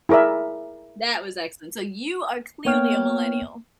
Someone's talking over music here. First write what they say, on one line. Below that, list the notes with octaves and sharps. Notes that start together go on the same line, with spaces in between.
That was excellent. So you are clearly a millennial.
E4 G#4 A#4 D5 E5
A#3 B3 C#5 G5 F6